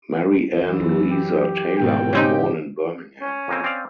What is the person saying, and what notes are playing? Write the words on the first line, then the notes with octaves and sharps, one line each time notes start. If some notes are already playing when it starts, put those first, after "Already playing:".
Mary Ann Louisa Taylor was born in Birmingham.
F#2 E3
G4
G#2 B2 D#3 G5
C#3 C4 D#4 G4
C#4
F2 A#3 C4
C4 D5 F5